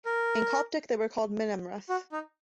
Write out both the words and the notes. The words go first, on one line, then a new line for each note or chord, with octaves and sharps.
In Coptic, they were called "Minamref".
A#4
F#4
D#4